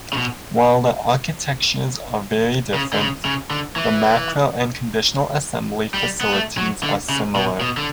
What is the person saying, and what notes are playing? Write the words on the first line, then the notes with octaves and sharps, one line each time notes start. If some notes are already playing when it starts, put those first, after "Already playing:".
While the architectures are very different, the macro and conditional assembly facilities are similar.
C#3
B2
C#3
D3
C#3
C#3
D3
E3
G3
B3
A3
F#3
D3
C#3
B2
B2
D3